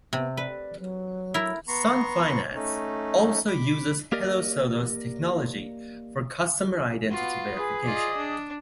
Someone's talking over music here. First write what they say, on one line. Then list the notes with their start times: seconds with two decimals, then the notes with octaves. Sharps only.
Sun Finance also uses Hello Soda’s technology for customer identity verification.
0.13 C3 B3
0.37 B4 D5
0.80 F#3
1.34 E4 A#4
1.68 B3 A#5 C6 C#6
2.55 A3 C#4 D#4
3.48 B5 D6
4.12 A#3 G4 A#4 D5 D#5
7.10 B3 F4 F#4 F5
7.55 G#4 B4 D#6
7.86 F4 D5 D#5
8.17 D4